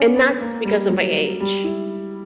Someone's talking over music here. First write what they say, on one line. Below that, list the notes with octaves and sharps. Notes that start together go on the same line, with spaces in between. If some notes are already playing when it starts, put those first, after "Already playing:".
and not just because of my age.
Already playing: C#4 D4
B3
A#3
G3
F#3
G3
E4